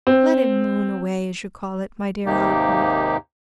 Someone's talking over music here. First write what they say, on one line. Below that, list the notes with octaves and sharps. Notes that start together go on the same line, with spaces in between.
Let him "moon away," as you call it, my dear Harcourt.
C4
D#2 G#2 C3 A#3 D#4 G4